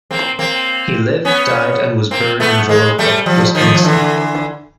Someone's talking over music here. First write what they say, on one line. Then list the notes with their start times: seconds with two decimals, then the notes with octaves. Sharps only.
He lived, died and was buried in Viroqua, Wisconsin.
0.11 A#3 C4
0.39 A#3 C4
1.25 B3 C#4
2.11 A#3 C4
2.40 A3 B3
2.69 G#3 A#3
2.98 G3 A3
3.26 F3 G3
3.55 D#3 F3
3.74 F3
3.85 D3 E3